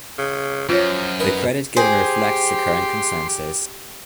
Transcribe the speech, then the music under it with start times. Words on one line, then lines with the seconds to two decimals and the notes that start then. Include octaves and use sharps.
The credit given reflects the current consensus.
0.19 C#3
0.69 F#2 F3 F4 C#5
1.19 D#4 A#4 B4
1.76 G4 G#4 C5 G5 C6